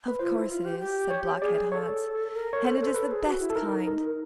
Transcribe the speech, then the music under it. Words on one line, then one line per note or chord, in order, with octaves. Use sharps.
'Of course it is!' said Blockhead-Hans, 'and it is the best kind!
B4
F4 C5
E4
F4
G4
G4
C#5
G#4 D5
A4 C#5
A#4
C#5
A4 C5
A4 C#5
C5
A4 B4
G#4
F#4
E4
A4
D#4 A#4
A#4